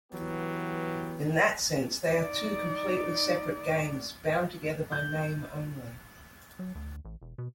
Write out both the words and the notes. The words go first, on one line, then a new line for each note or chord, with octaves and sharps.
In that sense, they are two completely separate games bound together by name only.
E3 F#3 B3 G4
D#4 D5
G6
F#3
D2
A1
E1
B2